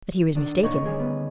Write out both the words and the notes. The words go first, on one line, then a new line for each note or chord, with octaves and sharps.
But he was mistaken.
D#3 D4
A#2 D#3 D4 C#5
D2 G3 C#4 G#4
B3